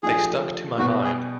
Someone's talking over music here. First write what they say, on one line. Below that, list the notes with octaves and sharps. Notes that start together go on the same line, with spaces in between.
They stuck to my mind.
F3 A3 D4 G4 G#4
B2 G3 B3 F#4
G#4